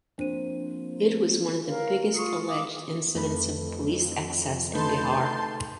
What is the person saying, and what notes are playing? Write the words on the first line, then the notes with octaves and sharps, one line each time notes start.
It was one of the biggest alleged incidents of police excess in Bihar.
F3 A#3 C4 D4 C5 D#7
A#4 C#5 F5
A3 F4 C#6 D#6 C7 C#7
F5 D6 D#6
F2 A3 B4
A3 D#4 B4 A5 C6 G6